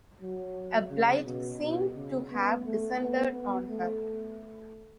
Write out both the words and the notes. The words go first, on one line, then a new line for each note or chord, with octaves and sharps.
A blight seemed to have descended on her.
F#3
C#3
B2
B2
C#3
B3
A3
B3
B3
A3